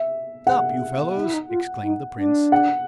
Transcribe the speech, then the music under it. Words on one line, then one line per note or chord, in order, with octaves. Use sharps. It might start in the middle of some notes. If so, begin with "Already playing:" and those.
"Stop, you fellows!" exclaimed the prince.
Already playing: E5
F#5
D#4
E4
D#4
F4
D#4
D4
F#5